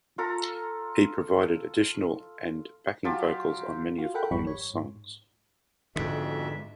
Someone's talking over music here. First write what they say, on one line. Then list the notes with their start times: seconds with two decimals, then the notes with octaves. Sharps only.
He provided additional and backing vocals on many of Korner's songs.
0.18 F4 A4 A#5
3.04 F#3 F4 G4 A5
3.98 F4 F#4
4.14 A4 A#4 F#5 G5 B5
4.31 G#1 F2 G3 B5 C#6
4.47 C#5
4.74 G#2
5.96 F2 G#2 B2 D3 E5